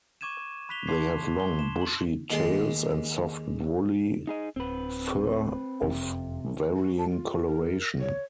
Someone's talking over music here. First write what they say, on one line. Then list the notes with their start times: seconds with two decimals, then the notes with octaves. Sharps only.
They have long, bushy tails and soft, woolly fur of varying coloration.
0.21 C#6 D6 G#6 D#7 E7
0.69 B5 F#6 B6 F7 G7
0.87 A5 C6 D6 G#6 C7
1.38 C6 G7
1.59 E7
1.82 F#7
2.31 D#2 G#3 C6
4.27 D#4 G#4 D#5
4.56 D1 C4 B4
5.82 F#1 F2 C3 C4
6.77 F#4
6.98 A5
7.09 F4
7.47 A#4
8.00 C#5